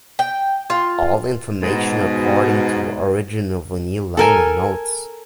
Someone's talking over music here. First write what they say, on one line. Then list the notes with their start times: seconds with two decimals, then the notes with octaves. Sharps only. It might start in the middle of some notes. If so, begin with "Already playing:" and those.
All information according to original vinyl liner notes.
0.19 G5
0.70 F4
1.63 G#2 B2
4.17 A4 A#4 G#5